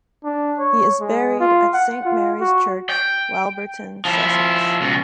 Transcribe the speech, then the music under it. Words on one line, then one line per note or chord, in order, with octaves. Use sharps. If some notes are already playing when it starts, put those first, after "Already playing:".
He is buried at Saint Mary's Church, Walberton, Sussex.
D4
C#5
G#3
F4
F#5
F4
F#4
G5
F3 E4
C#2 B2